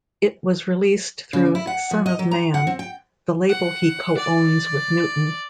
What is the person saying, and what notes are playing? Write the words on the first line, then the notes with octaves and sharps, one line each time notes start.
It was released through Son Of Man, the label he co-owns with Newton.
C#3
E4
F#5
F3
D#5
F#3
A#5
F#5
C4
G5
F#5
D5